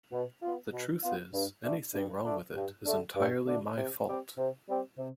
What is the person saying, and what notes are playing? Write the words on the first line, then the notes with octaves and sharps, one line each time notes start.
The truth is, anything wrong with it is entirely my fault.
B2
B3 F4
B2
B3 F4
G2
D3 A3 D4
G2
D3 A3 D4
G2
D3 A3 D4
G2
D3 A3 D4
C3
G3 C4 G4
C3
G3 C4 G4
C3